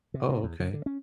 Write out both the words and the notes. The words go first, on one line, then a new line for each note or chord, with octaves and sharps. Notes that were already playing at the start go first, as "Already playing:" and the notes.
Oh, okay.
C3
C3
E2
C#3
D3
C#4